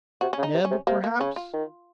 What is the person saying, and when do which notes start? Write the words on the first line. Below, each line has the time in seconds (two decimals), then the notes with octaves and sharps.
"Neb, perhaps?"
0.21 C3 F#4
0.33 C#4
0.38 C#3
0.43 D#4
0.53 C3
0.65 C#4
0.70 C3
0.87 C3 A#3
1.04 A#3
1.20 C#3 C#4
1.36 F4
1.53 D#3